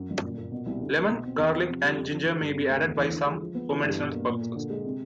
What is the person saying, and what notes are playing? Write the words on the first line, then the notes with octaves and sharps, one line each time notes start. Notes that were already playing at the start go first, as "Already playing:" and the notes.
Lemon, garlic and ginger may be added by some for medicinal purposes.
Already playing: F#2
G1
A#2
A#3
B2
C2
D3
A#3
B2
C4
E2
F3
C3
G3
F2
F3
D3
G2
C3
D2
E2
E3
D3
G#3
F3
B3
E3
G2
B2
A#3
A#2
A#3
D3
G#3
C3